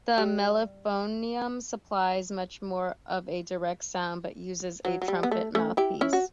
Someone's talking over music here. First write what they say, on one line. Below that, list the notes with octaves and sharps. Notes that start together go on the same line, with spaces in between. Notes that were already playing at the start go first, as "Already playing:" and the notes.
The mellophonium supplies much more of a direct sound but uses a trumpet mouthpiece.
G3
F#3
F#3
G3
B3
A3
A3 C#4
E4 G4
C#4 E4
F#4